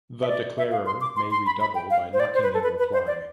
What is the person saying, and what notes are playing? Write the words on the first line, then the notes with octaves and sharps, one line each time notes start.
The declarer may redouble by knocking in reply.
E5
D5
E5
F5
C6
D6
C6
C6
B5
B5
G5
F5
C5
D5
C5
B4
A4
B4
B4
C5
D5